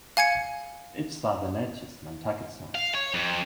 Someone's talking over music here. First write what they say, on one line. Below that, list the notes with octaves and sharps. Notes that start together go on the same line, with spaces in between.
Its southern edge is Nantucket Sound.
F5 G#5 G#6 C#7
F5
C#5
F2